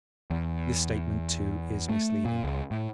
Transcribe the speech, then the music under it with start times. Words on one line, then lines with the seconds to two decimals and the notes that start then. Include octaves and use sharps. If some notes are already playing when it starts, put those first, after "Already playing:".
This statement, too, is misleading.
0.30 E2
1.89 A3
2.25 A#2
2.44 C#2
2.71 A2